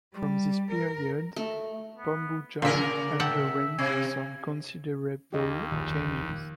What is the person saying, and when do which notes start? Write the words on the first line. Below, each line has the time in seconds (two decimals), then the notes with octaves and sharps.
From this period Pambujan underwent some considerable changes.
0.15 G3
0.71 A#4
1.36 A3
1.97 B3
2.62 A#2 C#3 A#4 D5 E5
3.20 E5 F#5 G5 A5
3.79 C3 G#5
5.33 D#2 G4 D#5
5.72 F1 A#1 D#3